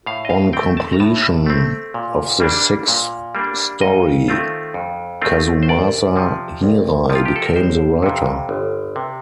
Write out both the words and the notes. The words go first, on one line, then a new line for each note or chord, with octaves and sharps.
On completion of the sixth story, Kazumasa Hirai became the writer.
A2 F5
D#5
F5
A3 C4 G5
A5
A#5
A2 A5
A3 C4
A#2
G3 A#3 D4
A#2
G3 A#3 D4
F2 D#5
D#3 A3 C4 F4
F2
D#3 A3 C4 F4
C5
C2 D5
C3 F3
C2
C3 F3
F4
G4
A4
A#4
G1 C5
F2 C3
G1
C3